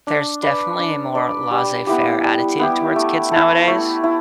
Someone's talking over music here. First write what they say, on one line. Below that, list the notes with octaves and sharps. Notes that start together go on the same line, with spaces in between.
there's definitely a more laissez faire attitude towards kids nowadays.
D4
B4 D5
D4
B4 D5
G3
B3 E4 G4
G3
B3 E4 G4
A3
E4 A4
A3
E4